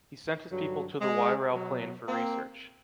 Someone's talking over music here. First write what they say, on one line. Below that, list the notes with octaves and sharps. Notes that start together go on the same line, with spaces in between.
He sent his people to the Wairau Plain for research.
G2 D3 F#3
G#3
B2 F#3
A#3 C4